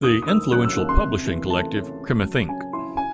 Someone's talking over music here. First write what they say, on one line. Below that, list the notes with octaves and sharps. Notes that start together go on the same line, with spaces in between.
The influential publishing collective CrimethInc.
D#2 D#6
D#6
D#3 E6
F#3 F#6
E6
D#2
C6
C3
E3
A3 A5
C#4
C#3
F#3
C#4 G#5
E4 C6
G#5